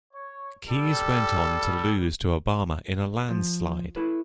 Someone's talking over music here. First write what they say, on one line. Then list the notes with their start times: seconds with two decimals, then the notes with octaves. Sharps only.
Keyes went on to lose to Obama in a landslide.
0.13 C#5
0.69 G3 A4
3.30 F3
3.96 E4 A4 B4